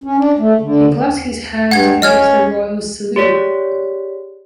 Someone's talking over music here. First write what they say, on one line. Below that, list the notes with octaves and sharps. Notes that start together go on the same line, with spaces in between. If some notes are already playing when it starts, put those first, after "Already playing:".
He claps his hands and gives the royal salute.
C#4
D4
A3
D3
G2 F#5 G#6
C#4 D#5 F6 G#6
G4 G#4 C#5 D5 B6